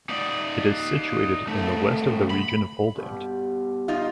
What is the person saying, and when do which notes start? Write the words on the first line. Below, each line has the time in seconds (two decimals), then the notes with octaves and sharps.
It is situated in the west of the region of Oldambt.
0.09 D#4 D5
1.47 C2 A3
2.30 B5
2.95 G2 B2 G4
3.88 D#4 F4